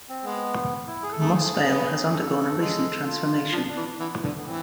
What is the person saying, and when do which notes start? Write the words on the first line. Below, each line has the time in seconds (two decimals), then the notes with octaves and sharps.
Moss Vale has undergone a recent transformation.
0.09 C4
0.25 G#3 B3
0.87 E4
1.03 G#4
1.12 A4
1.19 A3 G#4
1.65 B3
2.12 A4
2.59 G#3
3.05 F4
3.53 F3 D4
3.68 D4
3.76 E3
3.99 E3 B3
4.23 D3
4.37 B3
4.46 E3 C4